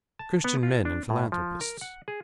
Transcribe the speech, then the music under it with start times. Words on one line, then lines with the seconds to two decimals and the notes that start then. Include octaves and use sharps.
Christian men and philanthropists!
0.19 A5
0.44 B3
0.63 F4
0.85 D4
1.10 A2
1.32 F3
1.61 A#4
1.81 F#5
2.08 G#4